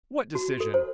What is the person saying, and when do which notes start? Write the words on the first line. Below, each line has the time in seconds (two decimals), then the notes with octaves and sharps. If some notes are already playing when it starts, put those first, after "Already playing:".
What decision?
0.35 F#4
0.60 A4
0.74 C5